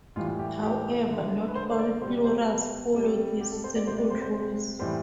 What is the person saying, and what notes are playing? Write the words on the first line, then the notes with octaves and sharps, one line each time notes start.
However, not all plurals follow these simple rules.
A2 E3 G3 F4
G4
G4
D3 A3
B4
C5
C5
D5
B2 G3 C5
C5
B4
C3 G3 A4
G4
A4
C5
D5
C3 G3 C5
D5
C5
C5
C5
A2 E3 G3 C5